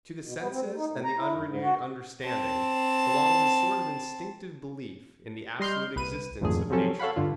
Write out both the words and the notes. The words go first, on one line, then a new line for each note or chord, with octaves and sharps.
To the senses and the unrenewed understanding, belongs a sort of instinctive belief in the absolute existence of nature.
B2
B3
C4
G3
D#4
A2
A#5
E4
F#2
G#2
F#4
C4 A5
G3 D#5 C6 F6 G6
C2 B4 D#7
G#1 F2 A#2 D3 A3 G#4
C3 F3 F#3 C4 C#4 A4
A4 C#5 F5 F#5 B5
G2 D3 F4